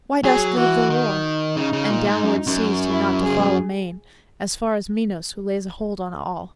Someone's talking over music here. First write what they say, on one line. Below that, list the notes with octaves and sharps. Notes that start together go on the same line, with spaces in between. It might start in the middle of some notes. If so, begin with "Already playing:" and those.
Why dost leave the war?' And downward ceased he not to fall amain As far as Minos, who lays hold on all.
F#3 G#4
E3 F#4
D#3
C#3 D#4
C#3
A#2
G#2
F#2
F#2
E4
C#3 G#4
B2